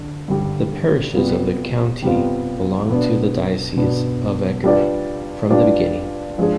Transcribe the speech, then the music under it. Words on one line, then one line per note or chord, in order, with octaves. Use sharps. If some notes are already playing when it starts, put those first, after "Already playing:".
The parishes of the county belonged to the Diocese of Eger from the beginning.
Already playing: D3
G2 D3 G3
C3 G3 B3 F4
C3 G3 B3 F4
B2 B3 D4
B2 B3 D4
G3 D4 F4 B4 D5
G3 D4 F4 B4 D5
F3 G#3 D4 G#4